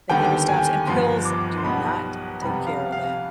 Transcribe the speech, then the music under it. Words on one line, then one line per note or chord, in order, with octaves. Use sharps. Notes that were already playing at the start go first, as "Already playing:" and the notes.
it never stops, and pills do not take care of that,
D#2 D3 G3 B3 G5
G#5
G1 G2 F3 B3 C6
D6
C6
B1 B2 G3 B3 B5
F2 C3 G3 B3 B5
F5
F5